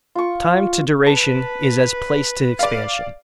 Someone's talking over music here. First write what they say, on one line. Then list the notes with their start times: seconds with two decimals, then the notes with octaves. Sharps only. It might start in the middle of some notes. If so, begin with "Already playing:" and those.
Time to Duration is as Place to Expansion.
0.15 F4 C#6
1.07 B4 A5
2.59 D5 F5